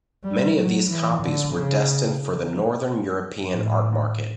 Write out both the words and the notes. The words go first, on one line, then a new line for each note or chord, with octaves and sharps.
Many of these copies were destined for the Northern-European art market.
G3
F#3
E3
D3
C#3
A2